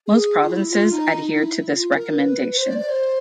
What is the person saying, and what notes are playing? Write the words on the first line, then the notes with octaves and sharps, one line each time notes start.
Most provinces adhered to this recommendation.
G#4
F4
E4
F4
D#4
E4
F4
A#4
B4
B4
C5
D5
D5
C5